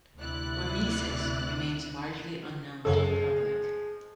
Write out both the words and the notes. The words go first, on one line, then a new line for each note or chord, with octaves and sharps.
Hormesis remains largely unknown to the public.
D2 C3 E4 D5 F#6
F#2 C#3 F3 G#3 A4